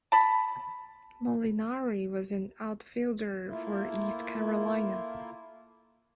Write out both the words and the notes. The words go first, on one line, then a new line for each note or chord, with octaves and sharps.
Molinari was an outfielder for East Carolina.
A5 B5
A3 A#3 E4 F4